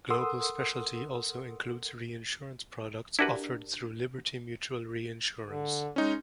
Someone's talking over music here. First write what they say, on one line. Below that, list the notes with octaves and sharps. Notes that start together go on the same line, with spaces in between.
Global Specialty also includes reinsurance products offered through Liberty Mutual Reinsurance.
A4 A#4 F#5 C6 D#6 E6
D4 E4 F#4 G4 A#4 B4
D3
G#3 C#4 D#4